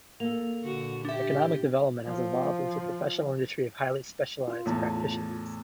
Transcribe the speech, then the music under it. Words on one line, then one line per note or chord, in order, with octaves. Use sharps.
Economic development has evolved into a professional industry of highly specialized practitioners.
A#3 A4 F7
A#2 D3 F#4
D4 G4 E5
F3
F4
E2 A2